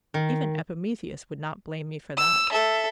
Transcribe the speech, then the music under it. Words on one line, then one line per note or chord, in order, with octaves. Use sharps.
Even Epimetheus would not blame me for that.
D#3
E6
A4 E5